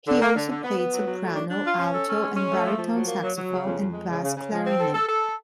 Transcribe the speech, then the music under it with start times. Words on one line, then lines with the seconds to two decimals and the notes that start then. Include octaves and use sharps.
He also played soprano, alto, and baritone saxophone and bass clarinet.
0.08 D3
0.22 A#3
0.36 D3
0.50 D3
0.64 B3
0.78 B3
0.93 F#3
1.07 F#3
1.22 A3
1.36 D4
1.50 D4
1.64 F4
1.78 C#4
1.93 A4
2.08 C#4
2.22 G#3
2.36 C#4
2.51 A3
2.65 F3
2.79 F3
2.94 F#3
3.07 A#3
3.22 F#3
3.36 F#3
3.51 C#3
3.66 F2
3.80 F2
3.93 G#3
4.08 C#3
4.22 C#3
4.37 C#3
4.51 F3
4.66 C4
4.80 A4
4.94 A4
5.09 A4